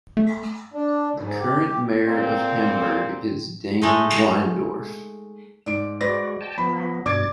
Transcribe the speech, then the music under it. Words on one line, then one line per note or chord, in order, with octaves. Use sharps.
The current mayor of Hamburg is Dane Weindorf.
A3
D4
G#2
G4
A#2 C4
G#3 A3 D#4
G#2 D5 D7
G#3 F#4 B4 C5 D5 A#6
G5 A5
F3 B3 B5
G2 B2 D5 D6 G#6 A6 D7